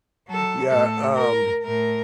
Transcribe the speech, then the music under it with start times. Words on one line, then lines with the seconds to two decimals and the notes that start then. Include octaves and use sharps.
yeah, um
0.28 F#3 A4
0.69 A2 A4
1.15 A#4
1.63 A2 A#4